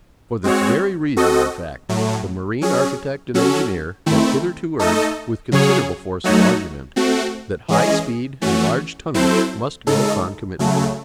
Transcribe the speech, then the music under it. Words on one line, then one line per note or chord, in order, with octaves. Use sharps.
For this very reason, in fact, the marine architect and engineer have hitherto urged, with considerable force of argument, that high speed and large tonnage must go concomitantly.
G#3 C4 F#4 C#5
C4 F#4 A4 D#5
A2 F#3 A3
F#3 C#4 G#4
F#3 C#4 F#4 A4
D#3 A3 C4 E4
A3 D#4 A4 D#5
C#3 F#3 C#4 G#4 C#5
F#3 A3 D#4 F#4 C#5
A3 C4 F#4
E3 G#3 C#4 G#4 D#5
E3 A3 C#4 F#4
F#3 C4 E4 A4 C5
C#3 G#3 D#4 A4
C#3 F#3 A3